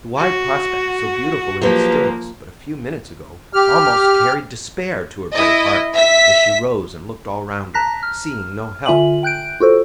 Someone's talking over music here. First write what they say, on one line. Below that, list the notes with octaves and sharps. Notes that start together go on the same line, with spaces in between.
The wide prospect, so beautiful in its stillness but a few minutes ago, almost carried despair to her brave heart, as she rose and looked all round her, seeing no help.
F#4
F3 F#3 A#3 G4 B4
G4 F6
E4 D#5
E5 B6
A5 A#5 F#6 A#6 B6
F6
D3 F4 E5 G#5 F#7
G5 F#6 G6 D7
F4 F#4 A4 C5